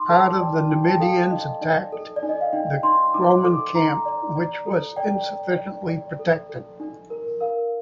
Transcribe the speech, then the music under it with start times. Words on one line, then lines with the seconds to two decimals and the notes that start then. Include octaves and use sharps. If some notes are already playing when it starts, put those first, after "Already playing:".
Part of the Numidians attacked the Roman camp which was insufficiently protected.
Already playing: D#4 C6 D6
0.09 A4 A5
0.40 D5 G5
0.70 D#4 G5
0.84 A5
0.93 G5
1.00 A4 F5
1.31 D#4 D#5
1.61 D#4 D5
1.92 A4
2.16 D5
2.23 D#4
2.29 D#5
2.41 F5
2.53 D#4 G5
2.83 D#4 C6
3.14 D#4 D6
3.44 A4 D6
3.75 D#4 A#5
4.05 D5
4.36 D5
4.66 A4
4.96 D5 G5
5.27 D5
5.58 D5
5.89 D5
6.19 A4
6.50 A4
6.80 D#4
7.10 A#4
7.40 A#4 F5